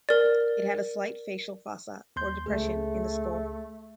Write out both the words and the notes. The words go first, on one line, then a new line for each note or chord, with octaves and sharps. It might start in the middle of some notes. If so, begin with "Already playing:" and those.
It had a slight facial fossa, or depression, in the skull.
A#4 D5
D#2 C6 G6
C#2 A3 G#4